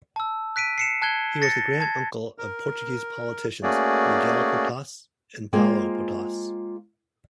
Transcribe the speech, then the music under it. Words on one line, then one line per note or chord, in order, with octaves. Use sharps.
He was the granduncle of Portuguese politicians Miguel Portas and Paulo Portas.
A5 E6
F#6 B6 D7 D#7
C7 C#7 E7
A5 F#6 G#6 G7
A6 A#6 C#7
A5 G#6
A#4
A3 A#3 C#4 F#4 G#4 D5
G#3 A#3 F4 G#4 C5 G5